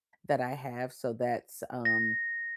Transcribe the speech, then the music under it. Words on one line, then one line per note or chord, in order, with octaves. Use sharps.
that I have, so that's, um
A#6